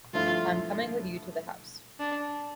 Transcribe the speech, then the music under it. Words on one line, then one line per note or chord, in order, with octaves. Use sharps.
I'm coming with you to the house.
G2 D3 F3 A3 E4 F4
D4